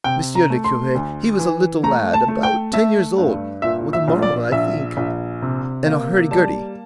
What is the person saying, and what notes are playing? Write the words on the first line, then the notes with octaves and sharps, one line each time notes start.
Monsieur le Cure, he was a little lad, about ten years old, with a marmot, I think, and a hurdy-gurdy.
C3 G5
A#5
A3
C6
D2
E3
A3 A#5
A5
A3
G5
A3 E5
G2
A#2 E5
E5
A#1
D5
A#1 E5
A#1
C3
A#3
G3 A5